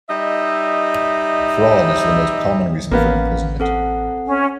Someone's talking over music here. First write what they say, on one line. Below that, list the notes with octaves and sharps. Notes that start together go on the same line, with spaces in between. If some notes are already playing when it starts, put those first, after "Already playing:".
Fraud is the most common reason for imprisonment.
G3 D#4 D#5 E5
A1 A#3 B3 C#4 F5
C4 A4 F#5
C#4